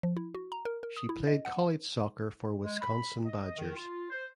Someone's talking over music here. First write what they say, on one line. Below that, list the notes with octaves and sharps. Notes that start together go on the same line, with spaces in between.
She played college soccer for the Wisconsin Badgers.
F3
E4
F#4
A#5
A#4
A#4
D#6
E4
D#5
F#5
G#3
B5
D#5
D#3
F4
C5